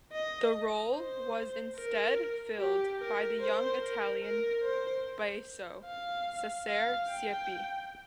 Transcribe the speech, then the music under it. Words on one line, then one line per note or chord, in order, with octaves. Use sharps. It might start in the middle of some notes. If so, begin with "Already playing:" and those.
The role was instead filled by the young Italian basso, Cesare Siepi.
D#5
C5
A#4
G4
A#4
C5
A#4
A#4
C5
F5
F5
G5